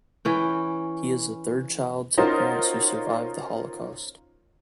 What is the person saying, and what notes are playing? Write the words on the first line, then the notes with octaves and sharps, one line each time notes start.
He is a third child to parents who survived the Holocaust.
E3 C#4 G5
C#4 D#4 F4 F#4 A#4 C5